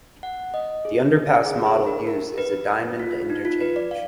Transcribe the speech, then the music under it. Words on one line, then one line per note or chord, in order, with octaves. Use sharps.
The underpass model used is a diamond interchange.
F#5
D#5
G#4
G#4
G#4
A#4
A#4
B4
F4
D#4
F4
B4
D5
F5